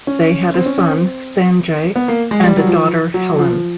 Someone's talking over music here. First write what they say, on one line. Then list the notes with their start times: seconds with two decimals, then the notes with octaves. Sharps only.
They had a son, Sanjay, and a daughter, Helen.
0.07 C#4
0.54 C4
0.66 C#4
0.78 C#4
0.89 C4
1.96 B3
2.08 A#3
2.31 G#3
2.44 G3
2.57 F#3
2.67 F3
3.14 F#3
3.38 F3